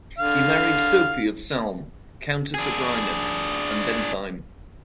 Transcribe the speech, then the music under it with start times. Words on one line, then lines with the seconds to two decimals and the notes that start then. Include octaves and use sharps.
He married Sofie of Salm, Countess of Rheineck and Bentheim.
0.18 D3 F5
2.54 D4 G#4